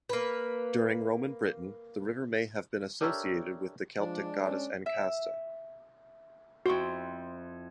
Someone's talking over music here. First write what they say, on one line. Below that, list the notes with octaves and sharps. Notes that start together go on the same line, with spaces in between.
During Roman Britain, the river may have been associated with the Celtic goddess Ancasta.
A#3 B4
D4 G4 A4 A#4 C#5 E5
F3 G#3 D4
C#4
E5
F2 E4 F#4 C5 C#6